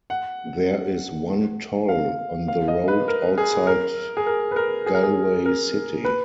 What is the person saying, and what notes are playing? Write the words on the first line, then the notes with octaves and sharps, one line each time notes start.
There is one toll on the road outside Galway city.
F#5
F5
F5
D#5
B4
A#4
G#4
A#4
G#4
A#4
B4
A#4
G#4
A#4
G#4
A#4
B4